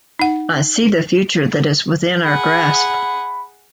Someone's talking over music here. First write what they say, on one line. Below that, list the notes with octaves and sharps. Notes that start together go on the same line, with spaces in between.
I see the future that is within our grasp.
D#4 F#5
G#4 F#5 B5